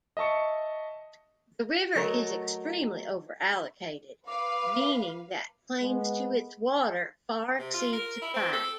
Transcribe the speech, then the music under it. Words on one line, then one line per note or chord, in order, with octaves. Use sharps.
The river is extremely over-allocated, meaning that claims to its water far exceed supply.
D#5 E5 A5 C#6 C#7
F#3 A3 A4 A#4 C#5 D#5
B4 F5 D6
G#3 B3
C3
F4
A#4
E4
C4
A4